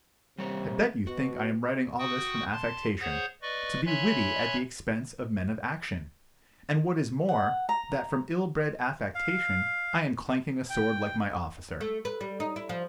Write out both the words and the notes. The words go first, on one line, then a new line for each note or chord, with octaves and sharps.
I bet you think I am writing all this from affectation, to be witty at the expense of men of action; and what is more, that from ill-bred affectation, I am clanking a sword like my officer.
C3 G3 A#3 C#5
B2 F#4
F#4 G5 C#6 D#6
A5 C6
G#4 C5 C#5 F#5 G6
B4 D5 D#5 C#6
C#5 E5 G#5 B5 C6 F#6
F#5
A#5
F5
G5
A3
B4
G3
D#4
E4
F3